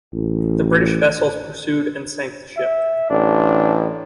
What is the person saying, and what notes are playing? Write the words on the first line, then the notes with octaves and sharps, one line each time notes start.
The British vessels pursued and sank the ship.
A1
E5
A1 D4